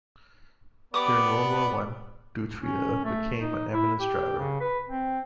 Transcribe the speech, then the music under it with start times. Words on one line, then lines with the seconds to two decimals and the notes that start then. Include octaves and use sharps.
During World War One Dutrieu became an ambulance driver.
0.94 B3 G4 B4 D5 D6 D#6
2.60 C#4
3.04 A3
3.40 D#4
3.73 E4
4.01 G4
4.38 C#3
4.61 B4
4.89 C4